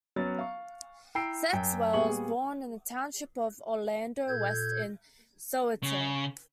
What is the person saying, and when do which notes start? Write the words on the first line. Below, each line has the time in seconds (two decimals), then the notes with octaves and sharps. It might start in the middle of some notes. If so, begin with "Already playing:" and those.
Sexwale was born in the township of Orlando West, in Soweto.
0.16 F#3 B3 C#4 A6
0.38 F5 C#6
1.15 E4 G5 A#5 E6 C7 D7
1.53 F#2 G5
1.93 A#2 G3 B3 G#4 C#6 F#7
4.28 A#2 A4 G6 G#6
5.83 C#3